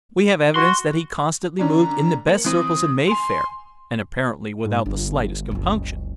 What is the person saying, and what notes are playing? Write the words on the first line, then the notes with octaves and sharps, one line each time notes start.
We have evidence that he constantly moved in the best circles in Mayfair, and apparently without the slightest compunction.
F#4 C6
D3 C#4 D4 A#5
A#3 C5 C#7 F#7
E3 C4 D#6 D#7
G#5 C6 F7
G#2
G1 D4 F4
F#1 C#2